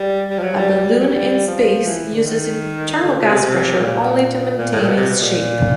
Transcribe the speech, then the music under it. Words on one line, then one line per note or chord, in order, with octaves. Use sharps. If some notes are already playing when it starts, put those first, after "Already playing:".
A balloon in space uses internal gas pressure only to maintain its shape.
Already playing: G3
G3
F3
F#3
G3
G3
F#3
G3
F3
E3
D3
D#3
D3
C#3
C3
C3
A#2
A#2
A#2
A2
A#2
B2
C3
B2
A#2